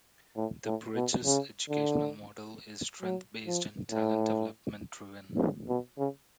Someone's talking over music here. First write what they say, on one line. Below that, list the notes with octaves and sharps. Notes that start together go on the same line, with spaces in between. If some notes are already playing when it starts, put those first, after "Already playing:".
The Bridges educational model is strength-based and talent-development driven.
A2
A2
B2
C#3
D3
F#3
F3
A2
B2
C#3